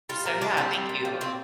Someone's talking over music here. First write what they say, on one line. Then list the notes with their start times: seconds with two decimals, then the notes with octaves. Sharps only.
so, yeah, thank you.
0.09 G3 F4
0.26 A#2 A#4
0.41 A#2 D4
0.57 G3 C4
0.73 G3
0.89 A#2
1.05 F3
1.21 A#2 C4